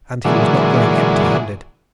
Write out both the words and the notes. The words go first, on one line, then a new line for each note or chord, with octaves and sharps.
And he was not going empty-handed.
A#2 D3 E3 F#3 G#3